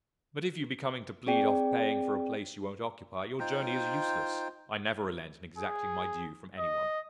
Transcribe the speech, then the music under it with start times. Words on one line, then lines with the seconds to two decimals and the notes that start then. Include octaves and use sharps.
'But if you be coming to plead off paying for a place you won't occupy, your journey is useless: I never relent in exacting my due from any one.'
1.26 C4 G#4 D5 G5
3.40 D#4 F4 C5 G5
5.58 G#4
6.59 D#5